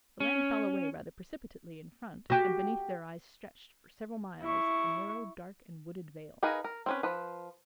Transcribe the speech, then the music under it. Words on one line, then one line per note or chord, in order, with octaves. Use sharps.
The land fell away rather precipitately in front, and beneath their eyes stretched, for several miles, a narrow, dark, and wooded vale.
C#4
F#4 G4
E4 C#6
D#4 G#4 A#4 B4 F5
A#4
C4 C#4 B4
F3 B4